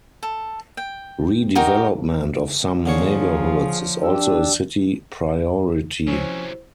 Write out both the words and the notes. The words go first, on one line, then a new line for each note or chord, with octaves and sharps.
Redevelopment of some neighborhoods is also a city priority.
A4
G5
D#4 F#4 G4 A#4
D3 F3 A#3 G#4 C#5 F5
D4 G4 E6
C3 F3 F#3 C#4 E4 C5